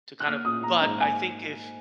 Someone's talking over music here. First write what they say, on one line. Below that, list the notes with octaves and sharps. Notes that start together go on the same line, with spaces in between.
to kinda but I think if
F#6
A#3 F6
A#2 D#6
A#3 A#5
G#2 A#5
A#3 G#5